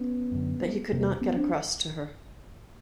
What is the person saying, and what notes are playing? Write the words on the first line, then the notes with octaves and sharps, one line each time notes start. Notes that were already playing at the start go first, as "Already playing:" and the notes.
But he could not get across to her.
Already playing: B3 C#4
F#2 D3
E2 C3 A#3 C4
B3 C#4
C4 D4